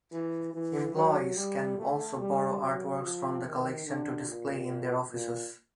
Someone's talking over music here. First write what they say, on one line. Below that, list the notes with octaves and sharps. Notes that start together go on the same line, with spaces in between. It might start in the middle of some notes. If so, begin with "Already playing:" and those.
Employees can also borrow art works from the Collection to display in their offices.
E3
E3
F#3
G3
A3
G3
F#3
F3
D#3
D3
A#2
A#2